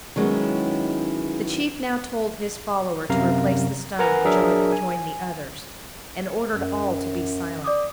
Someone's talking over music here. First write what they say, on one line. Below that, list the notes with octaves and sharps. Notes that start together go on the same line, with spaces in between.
The chief now told his follower to replace the stone and join the others, and ordered all to be silent.
D#3 F#3 G#3 B3 C#4 E4
F#2 C3 F5 A#5
A#4 B4 F#5 G#5 A#5
F#3 D4 G#4 A#4 E5
G#5
F#2
D5 D6 D#6